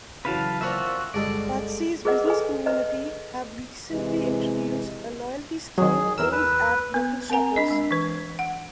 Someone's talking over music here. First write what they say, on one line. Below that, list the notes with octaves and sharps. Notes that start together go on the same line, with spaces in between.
Pudsey's business community have recently introduced a Loyalty Scheme, aimed at local shoppers.
C#3 E3 F#3 B4 F5 A5
A#2 C4 D4 F4 F#4 E5
G1 D3 G3 G#3 A4 D5 D#5
G#4 A#4 B4 D#5 F#5
A4 B4 G#5
B4 D#5
C3 E3 G#3
D#3 F#3 G#4
E2 A#4 E6
B4
B3 B4
C4 A#4 F#5 G#5 A#5
D4 D#5
G#3 D4
E3 B4
F#5